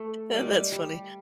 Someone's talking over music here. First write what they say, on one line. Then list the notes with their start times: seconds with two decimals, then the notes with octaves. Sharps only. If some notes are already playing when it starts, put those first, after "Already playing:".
Yeah, that's funny.
Already playing: A3
0.32 F#2 D#3 G3
0.72 G3